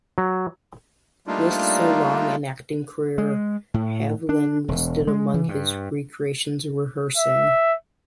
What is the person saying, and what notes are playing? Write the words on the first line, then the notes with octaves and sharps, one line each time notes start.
With so long an acting career Haviland listed among his recreations "rehearsing".
F#3
G3 A3 A#3 D4 D#4 F4
G#3
A2
D4
E1
G#3
E3
G2
E5